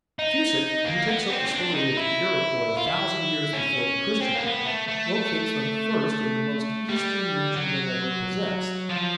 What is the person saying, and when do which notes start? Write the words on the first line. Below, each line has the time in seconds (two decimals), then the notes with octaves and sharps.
Cusic, who takes up the story of the Iroquois a thousand years before the Christian era, locates them first in the most eastern region they ever possessed.
0.19 D#4
0.85 A#3
1.09 B3
1.31 C4
1.46 C#4
1.53 D4
1.75 D#4
1.97 E4
2.77 F4
2.87 E4
3.53 C#4
4.21 C4
4.35 A#3
4.43 B3
4.66 A3
4.88 A3
6.89 G3
7.56 F#3
8.89 F3